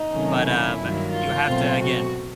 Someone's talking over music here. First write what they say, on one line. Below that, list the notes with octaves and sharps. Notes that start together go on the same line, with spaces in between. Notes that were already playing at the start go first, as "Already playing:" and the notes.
But, um, you have to again,
Already playing: D#4
C3 D#3 F#3 A3 C#4
E4
G2 D#3 F#3 A#3
F4
B2 F#3 A3 C4
F#4